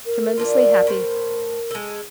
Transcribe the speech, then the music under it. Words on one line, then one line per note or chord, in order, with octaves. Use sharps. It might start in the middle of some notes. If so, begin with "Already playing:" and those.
'Tremendously happy.
A#4
E3 D4 F4
A2 C5
G#3 A4